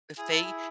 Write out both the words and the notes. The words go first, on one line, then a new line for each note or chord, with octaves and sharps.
if they
E4 G#4
A4
G#4